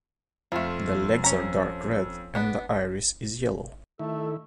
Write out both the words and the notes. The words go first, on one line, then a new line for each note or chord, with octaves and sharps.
The legs are dark red, and the iris is yellow.
F2 A3 F4
C#4 A#5
B3 D4
D#3 A3 E4 A4